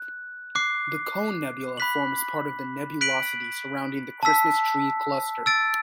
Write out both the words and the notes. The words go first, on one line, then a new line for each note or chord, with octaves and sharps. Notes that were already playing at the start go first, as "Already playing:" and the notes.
The Cone Nebula forms part of the nebulosity surrounding the Christmas Tree Cluster.
Already playing: F#6
D6 F#6 C7
B5 F#6 B6 F#7
F#6 B6 D7 F#7
A5 E6 B6
E6 A6 D7